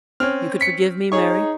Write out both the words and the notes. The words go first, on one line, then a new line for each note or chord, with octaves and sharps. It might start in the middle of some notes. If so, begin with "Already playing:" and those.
"You could forgive me, Mary?"
C4 C#4 F6
B6 C#7
D#4 G#4 C#5 C#6